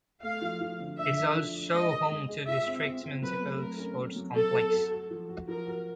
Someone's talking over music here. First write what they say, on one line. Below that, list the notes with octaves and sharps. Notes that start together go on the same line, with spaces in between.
It is also home to the district's municipal sports complex.
A3 F5
F3
F3
D3
D4 E5
D4
F3
D4
G#3 D#5
G#4
G#3
G#4
F4 E5
C4
C4
C4
F#3 B4
A3
A3 A#4
C#4
F#3
F#3
F#3 A4
F#3
F#4
F#4
F3
F#4
F3 A#4
F#4